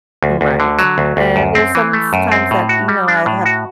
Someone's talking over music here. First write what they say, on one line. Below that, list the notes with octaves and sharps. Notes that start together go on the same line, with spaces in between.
M right, and there's sometimes that, you know, I've had
D2
D2
D3
F#3
D2
D2
F#2
C4
E3
A3
F#2
C4
A2
F#4
G3
D4
A2
F#4